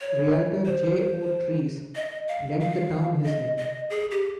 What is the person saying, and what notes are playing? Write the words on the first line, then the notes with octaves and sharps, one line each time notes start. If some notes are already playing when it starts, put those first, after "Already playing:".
Realtor J. O. Treece lent the town his name.
C#5
C5
D#5
F5
F5
D#5
D#5
G#4
G4